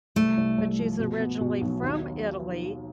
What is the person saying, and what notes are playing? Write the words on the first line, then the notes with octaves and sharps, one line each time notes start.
but she's originally from Italy,
C2 A3
C2
C2
F3
B2
B3
B2
B1
D#2